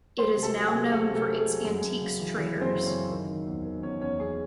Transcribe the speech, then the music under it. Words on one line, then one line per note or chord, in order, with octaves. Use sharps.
It is now known for its antiques traders.
F#3 C5 C6
C3
A4 A5
F#3
G#4 G#5
C3
F#3 A3 A4
C3
A3 A4
F#3
G#4
F#3
F#2 G#4
F#2
C#3
E3
E3 G#4
F#2
C4 C5
C#3
C#4 C#5
F#2
D#3
D#3
E2
D#3
E2 C#4 C#5
E2 C#4 C#5
E2 G#4